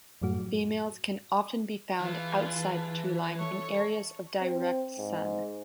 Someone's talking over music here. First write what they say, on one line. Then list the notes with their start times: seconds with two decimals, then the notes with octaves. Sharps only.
Females can often be found outside the treeline, in areas of direct sun.
0.22 F#2 A2 F#3 A3 F#4
2.00 E3 F4 G#4 B4 A5
3.39 A4 C#5 E5 A5
4.41 C4
4.99 G#2